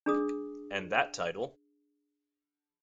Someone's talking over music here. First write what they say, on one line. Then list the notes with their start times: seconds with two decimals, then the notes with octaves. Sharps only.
And that title ...
0.06 D4 G#4 D#6